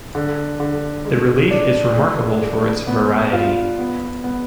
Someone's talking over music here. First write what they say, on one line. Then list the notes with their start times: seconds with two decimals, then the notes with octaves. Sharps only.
The relief is remarkable for its variety.
0.15 D3
0.60 D3
1.05 G#3
1.51 D4
1.96 G#3
2.42 G#3
2.87 B3
3.33 F4
3.79 B3
4.24 B3